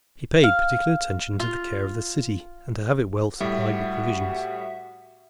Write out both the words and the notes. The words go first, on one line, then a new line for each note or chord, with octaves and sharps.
He paid particular attention to the care of the city, and to have it well supplied with provisions.
F5
F4
A2 G3 F#4 E5